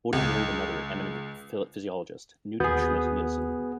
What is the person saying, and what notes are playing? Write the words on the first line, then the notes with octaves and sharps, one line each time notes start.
Bodil married another eminent physiologist, Knut Schmidt-Nielsen.
C#2
D#2 B3 F#4 G#4 G6